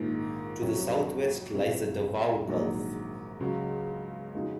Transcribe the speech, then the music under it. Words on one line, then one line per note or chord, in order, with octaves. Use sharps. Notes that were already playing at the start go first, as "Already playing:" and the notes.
To the southwest lies the Davao Gulf.
Already playing: A#1 G#2 D#3 A#3 F4
F2 C3 F#3 C#4 F#4
C#2 C3 F#3
A#1 G#2 D#3 F#3
C#2 C#3 F#3
F2 C#3 G#3 D#4 F#4